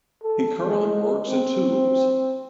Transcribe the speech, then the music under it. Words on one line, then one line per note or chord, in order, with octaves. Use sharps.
He currently works in Toulouse.
A4
G#3
C4